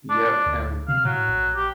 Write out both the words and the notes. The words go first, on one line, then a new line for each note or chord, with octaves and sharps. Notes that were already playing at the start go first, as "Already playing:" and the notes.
Yeah, and
D4
D2
C3 F5
A2 F#3
A#1
G4